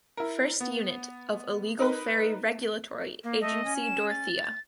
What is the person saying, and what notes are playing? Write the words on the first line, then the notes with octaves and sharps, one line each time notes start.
First Unit of Illegal Fairy Regulatory Agency Dorothea.
E4 A#4
B3
D#4 A#4 B4
A#3
A3 D#5
C#4
E7
A6